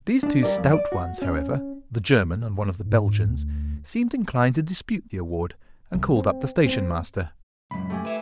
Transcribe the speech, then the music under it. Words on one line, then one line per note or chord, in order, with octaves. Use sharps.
These two stout ones, however--the German and one of the Belgians--seemed inclined to dispute the award, and called up the station-master.
D4
G3 A#4 D5
F2
D5
F#4
C#4
G#2
D2
C2
C4
C4
C#2 F#2 B5
A3 G4 G#5
B4 E5